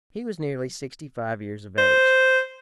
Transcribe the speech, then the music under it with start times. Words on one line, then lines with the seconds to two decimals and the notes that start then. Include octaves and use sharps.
He was nearly sixty-five years of age.
1.78 C5